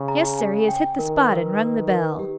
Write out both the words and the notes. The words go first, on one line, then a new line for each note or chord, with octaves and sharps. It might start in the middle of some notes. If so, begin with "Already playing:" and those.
Yes, Sir, he has hit the spot and rung the bell.
Already playing: C#3 C#6
A#5
G#5
G5
D#3 A#4
B4
A#4
B4
A#4
G4